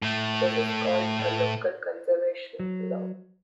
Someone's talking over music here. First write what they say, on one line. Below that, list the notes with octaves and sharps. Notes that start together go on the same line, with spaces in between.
This is called a "local conservation" law.
A2 A3
F#3